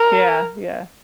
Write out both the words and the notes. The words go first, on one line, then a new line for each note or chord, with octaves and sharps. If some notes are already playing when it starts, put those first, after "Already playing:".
Yeah, yeah.
Already playing: A#4